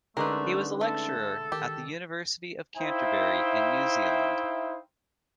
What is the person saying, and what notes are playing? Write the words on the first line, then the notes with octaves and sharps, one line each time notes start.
He was a lecturer at the University of Canterbury in New Zealand.
D3 G#3 A3 C#4 D#4 A#4 B4
A3 A4
D#3 G4
D#4 E4 C5 E5 F5 G5